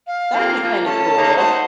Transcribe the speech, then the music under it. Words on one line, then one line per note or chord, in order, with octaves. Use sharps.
That would be kinda cool.
F5
F3 A#3 C4
F3 A#3
A3 C#4 A5
A#3 C#4 D#4
D#4 F#4 C5 A5